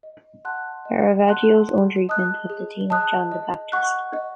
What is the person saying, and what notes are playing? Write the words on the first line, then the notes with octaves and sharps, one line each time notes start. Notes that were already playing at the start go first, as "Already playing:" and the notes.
Caravaggio's own treatment of the theme of "John the Baptist".
D#5
F#5 A5 C6 F#6
D#5
F#5 A5 C6 F#6
G#4
D#5 A5 D#6 F#6
G#4
D#5 A5 D#6 F#6
D#5
F#5 C#6 F#6
D#5